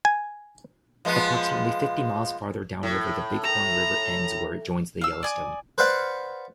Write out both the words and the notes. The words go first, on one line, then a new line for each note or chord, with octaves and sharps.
Approximately fifty miles farther downriver, the Bighorn River ends where it joins the Yellowstone.
G#5
F3 G#3 B3
A2
A#5
F5 E6
D5 G#5 D#6
B4 C5 D5 F5 F#5